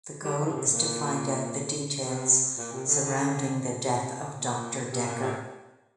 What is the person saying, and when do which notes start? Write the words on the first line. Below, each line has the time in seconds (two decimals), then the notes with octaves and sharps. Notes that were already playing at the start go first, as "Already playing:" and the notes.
The goal is to find out the details surrounding the death of Doctor Dekker.
0.24 G3
0.38 F3
0.53 C3
0.68 A#2
1.99 C3
2.58 A#2
2.73 C3
2.87 D3
3.01 D3
3.74 C3
4.33 A#2
4.92 C3
5.06 A#2
5.21 C3